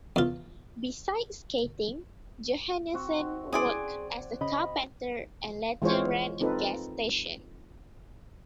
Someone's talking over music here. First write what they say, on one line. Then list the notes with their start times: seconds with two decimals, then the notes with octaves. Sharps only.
Beside skating, Johannesen worked as a carpenter and later ran a gas station.
0.16 E2 F4
2.94 C4 F#4
3.53 C#4 E4 G#4 D5 G#5 C6 D#6
4.41 C#3 D#5 B5
5.82 E3 G#3 F4 C5 C#5
6.41 C4 D#4 F4 A4 B4